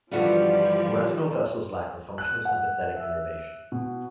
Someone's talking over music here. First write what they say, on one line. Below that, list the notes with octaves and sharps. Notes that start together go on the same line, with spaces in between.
Retinal vessels lack a functional sympathetic innervation.
G2 D3 E3 F3 G3 B3 F4 F#4
F#6
F#5
E5
B2